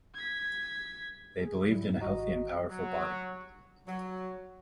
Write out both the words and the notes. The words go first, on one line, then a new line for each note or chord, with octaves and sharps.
They believed in a healthy and powerful body.
G#6 B6
G#4
G#2 F#3 G3 E4
G#1 F#4 D#5 A#5
F#3
F#3